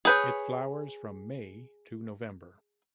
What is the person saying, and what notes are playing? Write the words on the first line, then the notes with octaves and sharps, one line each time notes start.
It flowers from May to November.
G#4 B4 C#5 D#6 G6